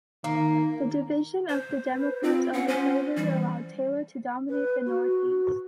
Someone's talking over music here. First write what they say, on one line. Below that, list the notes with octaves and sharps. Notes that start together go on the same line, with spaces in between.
The division of the Democrats over slavery allowed Taylor to dominate the Northeast.
D#3 A#3
C5
B4
C4 F4
C#4 F#5
C#4 C5
E3 G3
B4
F#4